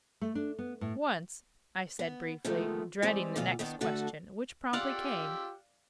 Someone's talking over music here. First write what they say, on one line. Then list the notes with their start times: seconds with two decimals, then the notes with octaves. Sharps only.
"Once," I said briefly, dreading the next question, which promptly came.
0.21 A3
0.35 D4
0.59 B3
0.81 A2
1.99 B3
2.45 C3 D#3 F3 G#3 A3 B3
3.02 E3 G3 G#3 C4
3.36 D2 B2 E3 F4
3.59 D#3 B3 D4
3.81 D3 A3 F#4 A4
4.73 F4 G4 D5 F5 F#5 E6